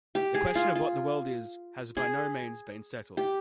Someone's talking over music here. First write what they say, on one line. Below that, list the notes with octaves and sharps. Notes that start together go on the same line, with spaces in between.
The question of what the world is has by no means been settled.
G4
G#4
F4
F4
G#4
G4